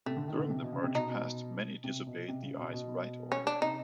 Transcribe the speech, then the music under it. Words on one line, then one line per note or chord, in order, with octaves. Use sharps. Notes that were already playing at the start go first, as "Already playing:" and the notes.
During the march-past, many disobeyed the "eyes right" order.
C3 A3
D3
D#3
D3
C3
B2
C#3
C3
B2 D#4
C3
B2
C3
C#3
B2
B2
C#4
D4
C3 D#4